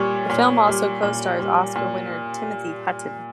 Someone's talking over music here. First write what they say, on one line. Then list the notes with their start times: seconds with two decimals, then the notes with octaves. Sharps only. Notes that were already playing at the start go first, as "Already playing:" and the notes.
The film also co-stars Oscar winner Timothy Hutton.
Already playing: A#2 G3 C#5
0.30 A#2
0.67 G3
1.03 A#2
1.40 G3
1.76 A#2